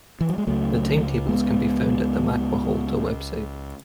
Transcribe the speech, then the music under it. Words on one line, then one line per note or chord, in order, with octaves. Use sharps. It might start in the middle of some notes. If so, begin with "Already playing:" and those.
The timetables can be found at the Matkahuolto web site.
E3
F#3
G#3
C#2 C#3 F#3 A3
G#3 B3